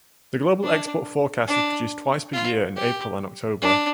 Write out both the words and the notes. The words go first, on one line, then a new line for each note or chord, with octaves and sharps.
The Global Export Forecast is produced twice per year in April and October.
D4
D4
F4
G4
D4